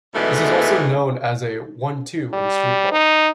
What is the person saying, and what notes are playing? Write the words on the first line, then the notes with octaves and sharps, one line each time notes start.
This is also known as a "One-Two" in street ball.
G#2 B2 D3 E3 G#3 A3
G3
D#4